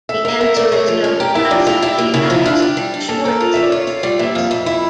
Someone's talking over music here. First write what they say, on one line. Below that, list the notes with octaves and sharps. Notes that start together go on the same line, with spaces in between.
The answer is known classically as Schwarz's list.
A4 E5
A#4 E5
A#4 E5
A3 D5
A3 C#5
F3
C#4
G4 A#4
E4 G4
F3 D4
E4 F4
E4 G4
A#3
C#3 E4
F4
F3 E4
E4
D4 F4
G4
G3
D4
A#3 A4
A4 A#4
F4
C#4 E5
D5
F4 C#5
F4
G3 D5
A#2 E5
F2 F5
F2 E5
E4 E5